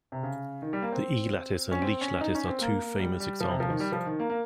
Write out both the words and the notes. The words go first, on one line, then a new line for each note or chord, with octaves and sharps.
The "E" lattice and the Leech lattice are two famous examples.
C3
C#3
D#3
G3
A#3
C4
C#4
C4
C#4
D#4
C#4
C4
A#3
A#3
G3
G3
F3
C3
F3
D#3
G3
F3
D#3
A#3
A#3